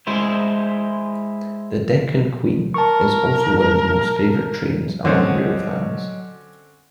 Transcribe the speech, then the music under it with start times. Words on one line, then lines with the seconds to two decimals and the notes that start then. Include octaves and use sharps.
The "Deccan Queen" is also one of the most favourite trains among railfans.
0.07 G#3 E4 C5
2.74 A#4 A5 C#6
5.05 D3 F#3 C4 C#4 D#5